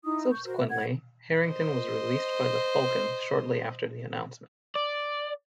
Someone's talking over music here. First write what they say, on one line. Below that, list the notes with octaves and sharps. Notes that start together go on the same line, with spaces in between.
Subsequently, Harrington was released by the Falcons shortly after the announcement.
D#4 E4 D#6
C#6 G6
F#4 A#4 C5
B4 E5
F#5 G#6
C5 D#5
D5